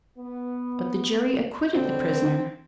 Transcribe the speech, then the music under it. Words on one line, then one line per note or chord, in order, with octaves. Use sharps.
But the jury acquitted the prisoner.
B3
B2 D3 C4